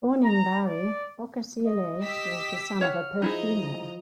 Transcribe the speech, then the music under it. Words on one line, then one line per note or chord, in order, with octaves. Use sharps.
Born in Bari, Boccasile was the son of a perfumer.
A#5
D5
D#5
G4 E6 B6
C#5 F5 F#5 F6
F3 D#4 E4 G#4 D#5 A#5